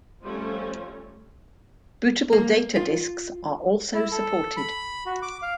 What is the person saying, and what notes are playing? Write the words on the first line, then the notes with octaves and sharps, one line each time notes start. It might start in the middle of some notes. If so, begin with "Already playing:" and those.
Bootable data discs are also supported.
F2 G3 A3 C#4 F4 C5
A#3
F4
E4
A4
B5
F#4
D6
F5